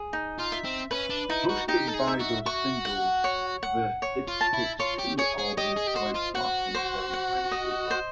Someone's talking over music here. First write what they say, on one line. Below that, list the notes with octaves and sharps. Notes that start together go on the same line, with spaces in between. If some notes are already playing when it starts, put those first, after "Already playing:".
Boosted by those singles the "It Takes Two" album went platinum seven times over.
Already playing: G#4
D#4
F4
E5
C4
C#4 B4
D4
D#4 E4
F#4
D#4 G4
A4
G#4
E5
F#4
F#4 C#6
F#5
C#5
F#5
C#5
F4
A5
E4
F4 C#5
G4
G#4 C#5
G#4
G4 D#5
G#4
G4
F#4 C5
F4
F#4 F#5
C5
F#5
D#5
C5